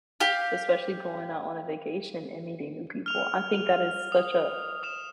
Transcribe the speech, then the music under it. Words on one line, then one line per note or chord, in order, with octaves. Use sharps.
especially going out on a vacation and meeting new people. I think that is such a
G4 F5
F6 F7
D#6
D#6 E7